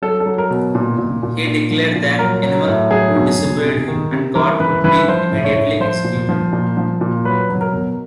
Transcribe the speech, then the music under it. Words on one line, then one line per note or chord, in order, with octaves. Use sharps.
He declared that anyone who disobeyed him and God would be immediately executed.
F#3 A4
A4
F#3
A#4
B2
A#2
A#2
A#2
A#2
F3
A#2
F#3 A#4
F#3
A2
F#3 G#4
B2
B2
C3
D#3
C3
E3 A#4
E3 B4
E3 B4
F3 C5
A2
C#5
A2
F3 C5
A#2
F3
A#2
F3
A#2
F#3 B4
F#3
A#4
B2